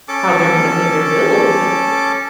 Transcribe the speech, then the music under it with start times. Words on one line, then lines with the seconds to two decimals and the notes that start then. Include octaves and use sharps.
how they're gonna pay their bills,
0.08 C#4 A4 A5 D6